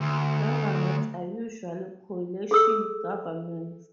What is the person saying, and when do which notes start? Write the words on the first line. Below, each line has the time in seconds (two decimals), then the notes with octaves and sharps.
Governments are usually coalition governments.
0.01 D2
2.51 G#4 A4 E6